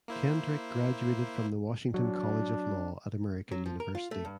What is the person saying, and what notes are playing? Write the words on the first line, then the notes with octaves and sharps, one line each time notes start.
Kendrick graduated from the Washington College of Law at American University.
A#3 E4 C5
F#3 D4
F#3
F3
A#4
F4
A3
G2